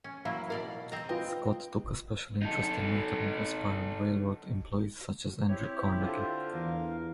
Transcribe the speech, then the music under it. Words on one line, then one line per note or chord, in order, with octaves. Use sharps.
Scott took a special interest in mentoring aspiring railroad employees, such as Andrew Carnegie.
C#4
F#3 A#3 E4 F5 B5
B2 A#4 D5 F5
C4 D#5 A#5
F4 B4 D#5 G5
D#4 A4
C4 E4 G4 C#5
D3 F4 C5
E2 A#4 F5